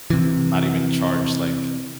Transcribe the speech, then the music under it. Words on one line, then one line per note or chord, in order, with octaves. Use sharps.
not even charge, like
C3 E3